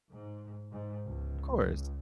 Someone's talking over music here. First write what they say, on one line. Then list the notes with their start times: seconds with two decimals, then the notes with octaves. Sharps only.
Of course.
0.10 G#2
0.69 G#2
1.06 C#2